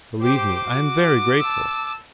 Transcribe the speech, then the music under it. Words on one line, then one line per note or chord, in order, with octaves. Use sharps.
Believe me, I am very grateful.
G4 C5 D6
F#4
A5 E6